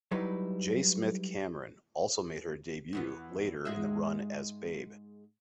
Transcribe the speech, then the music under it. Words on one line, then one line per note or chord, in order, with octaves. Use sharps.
J. Smith-Cameron also made her debut later in the run as Babe.
F#3 G3 D#4 E4 B4
E2 E3 B3
G#2 G#3 E5